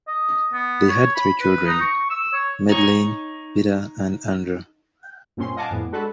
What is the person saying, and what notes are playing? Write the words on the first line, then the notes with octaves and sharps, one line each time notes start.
They had three children: Madeline, Peter, and Andrew.
D#5
B3
C#5
B5
B4
D#4
C#6
E6
C#5
D#4 C#5
G2 A#2 C4 C#4 C6
D#5 F5 F#5 G#5 A5 D6
F2 A2 B3
G#3 D4 F#4 A4 B4 F#5